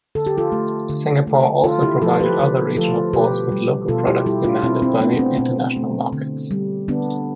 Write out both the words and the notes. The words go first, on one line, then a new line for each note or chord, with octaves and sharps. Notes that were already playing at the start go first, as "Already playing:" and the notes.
Singapore also provided other regional ports with local products demanded by international markets.
D3 A4
G4
F4 A4
A3
D3
A3
D3 F4 A4
E4 G4
F3 A3 F4 A4
G4 B4
D3
F3 A3 F4 A4
B2 G4 B4
G3
B2 F4 A4
E4 G4
G3 E4 G4
D4 F4
B2 C4 E4
C4 E4
A3 B3 D4
D4
C4
B2 C4
A3
D3
G3
D3 B3 D4